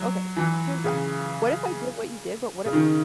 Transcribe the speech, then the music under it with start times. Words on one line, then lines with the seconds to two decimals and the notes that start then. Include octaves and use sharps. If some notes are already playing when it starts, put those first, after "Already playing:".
okay, here's up, what if I did what you did, but what I
Already playing: F#3
0.37 E3
0.84 C#3
2.65 C#3
2.73 D#3